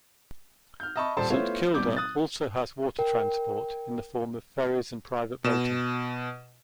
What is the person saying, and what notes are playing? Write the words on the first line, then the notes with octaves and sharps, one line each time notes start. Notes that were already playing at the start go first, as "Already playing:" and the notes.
Saint Kilda also has water transport in the form of ferries and private boating.
F6 G6
D#5 E5 A5 B5 C#6
D#1 G3 A4 C5 A5
A3 B3 E4 F4 C5 C#5
G#1 B2 G3 D6 G6
D#6 F#6 A6
A#4 G5
B2 E7